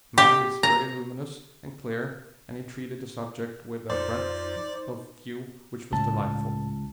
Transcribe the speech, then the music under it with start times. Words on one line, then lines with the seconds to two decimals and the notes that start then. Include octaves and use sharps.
His mind is very luminous and clear and he treated the subject with a breadth of view which was delightful.
0.18 G4
0.63 A#5
3.90 F2 D#4 C5 D5
5.92 C#2 A2 A5